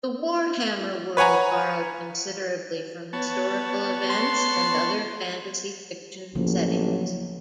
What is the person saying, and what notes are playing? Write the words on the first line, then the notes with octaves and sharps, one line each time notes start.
The Warhammer World borrowed considerably from historical events and other fantasy fiction settings.
B4 C#5 F#5 G#5 A#5
B3 C#5 A5
C6
A1 C#3 F3 F#3 A#3